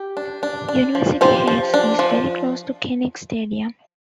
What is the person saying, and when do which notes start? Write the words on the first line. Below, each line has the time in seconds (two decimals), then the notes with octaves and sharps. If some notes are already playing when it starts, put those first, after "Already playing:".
University Heights is very close to Kinnick Stadium.
Already playing: G4
0.17 D4
0.43 D4
0.69 D4
0.95 F3
1.21 F3 G4 C5
1.48 F3
1.74 D4
1.99 F3